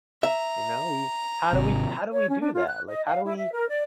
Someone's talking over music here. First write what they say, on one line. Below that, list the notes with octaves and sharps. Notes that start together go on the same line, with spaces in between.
you know, we How do we How do we do that? Like, how do we
E5 A#5
G#1 C3
C#5
C#4
D4
F4
F#6
D#5
F5
E4
E5
A#4
D5